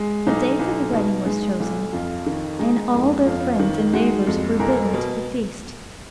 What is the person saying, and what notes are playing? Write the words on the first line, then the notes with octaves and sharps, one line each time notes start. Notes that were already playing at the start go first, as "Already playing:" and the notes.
The day for the wedding was chosen, and all their friends and neighbours were bidden to the feast.
Already playing: G#3
B1 D#4
B1
B2
G#3
B1
F2 F4
D#3
G#3 D#4
F2
F2 F4
D#3
G#3 F#4
F2
B1 A#4
B2